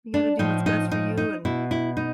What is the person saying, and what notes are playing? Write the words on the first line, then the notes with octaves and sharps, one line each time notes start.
you gotta do what’s best for you and
D4
A2 F3 D#4
D#4
D#4
D#4
B2 E4
E4
D#4